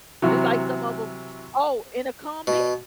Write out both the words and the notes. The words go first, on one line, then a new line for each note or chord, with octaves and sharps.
just like some of 'em Oh, in a comment,
C3 E3 F#3
B2